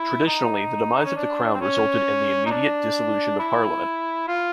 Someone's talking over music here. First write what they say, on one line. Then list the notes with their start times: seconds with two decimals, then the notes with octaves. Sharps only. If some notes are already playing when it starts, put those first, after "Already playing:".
Traditionally, the demise of the Crown resulted in the immediate dissolution of Parliament.
Already playing: E4
0.27 D#4
1.05 C#4
1.16 D4
1.54 C4
1.61 C#4
2.46 D#4
2.50 D4
3.39 E4
4.28 F4